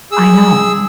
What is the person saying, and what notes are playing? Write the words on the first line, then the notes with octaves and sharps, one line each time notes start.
I know.
G#4 E6